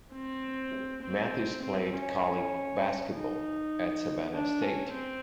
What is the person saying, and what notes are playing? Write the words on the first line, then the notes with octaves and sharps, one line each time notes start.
Mathis played college basketball at Savannah State.
C4
C4
C4
C#4
D#4
D4
C#4
C4